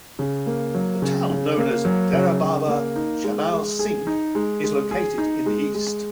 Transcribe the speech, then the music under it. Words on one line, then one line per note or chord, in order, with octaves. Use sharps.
The town known as Dera Baba Jaimal Singh is located in the east.
C#3
A#3
F#3
C#3
C#3
A#3
F#3
C#3
C#3
A#3
D#4
G#3
G#3
G#4
D#4
G#3
G#3
G#4
D#4
G#3
G#3